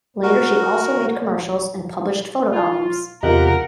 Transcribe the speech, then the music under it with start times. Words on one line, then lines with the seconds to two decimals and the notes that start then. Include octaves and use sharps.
Later she also made commercials and published photo albums.
0.23 F#4 A#4
2.52 F4
3.23 E2 C3 F4 G4 A#4 D#5 F#5